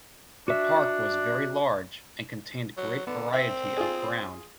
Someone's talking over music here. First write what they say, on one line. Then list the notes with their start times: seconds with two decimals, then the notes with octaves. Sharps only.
The park was very large, and contained great variety of ground.
0.48 D4 F#4 E5
2.77 F#3
3.07 D3 B3
3.33 C4 E5
3.77 F4 G#4